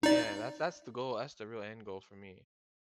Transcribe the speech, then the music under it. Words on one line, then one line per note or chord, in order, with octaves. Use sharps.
yeah, that's that's the goal that's the real end goal for me.
D#4 D5